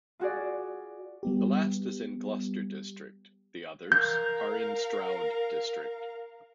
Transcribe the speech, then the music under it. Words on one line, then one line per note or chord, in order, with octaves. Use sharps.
The last is in Gloucester district, the others are in Stroud district.
F4 F#4 G#4 D5
G3 B3 G4
A#4 F5 G6